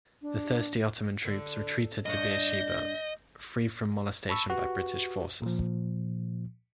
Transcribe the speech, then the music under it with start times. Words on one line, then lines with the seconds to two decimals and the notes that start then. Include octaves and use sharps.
The thirsty Ottoman troops retreated to Beersheba, free from molestation by British forces.
0.22 D4
1.25 D3
2.06 G2 D4 C#5 D#5 G6 A#6
4.29 A5 B5 C#6 E6
4.50 F#4 G4 B4 F#5
5.42 A#2 F3